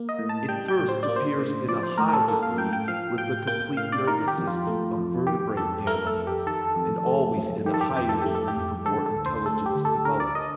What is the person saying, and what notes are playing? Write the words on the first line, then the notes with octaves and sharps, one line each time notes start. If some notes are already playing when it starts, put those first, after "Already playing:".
It first appears in a high degree with the complete nervous system of vertebrate animals, and always in a higher degree the more intelligence develops.
Already playing: A#3
D#5
A2
A5
G3 G5
G5
A2
C5
D5
A#3
C5
A2
F3 D5
C5
A2 A#4
A#4
A4
A#3 A4
F5
A2 G5
G5
F3 F5
A2 G5
A#3 G5
A2 F5
D5
D#3 A#4
G4
F2
F4
A3
F2
D#3 G4
F2 A4
A3 A#4
A4
F2
G4
D#3 A4
F2
A3
F2
D#3 G4
A4
G4
F2 G4
A4
A3 G4
A4
G4
F2
D3 A4
A4
D2
C5
A3 A4
G4
D2
A4
D3 A#4
D5
D#5